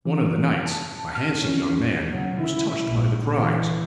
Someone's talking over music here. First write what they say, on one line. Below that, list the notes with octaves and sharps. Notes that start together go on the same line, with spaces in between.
One of the knights, a handsome young man, was touched by the cries.
E3
A5
F6
C#4
C#3 F#3
E4
A#1
E3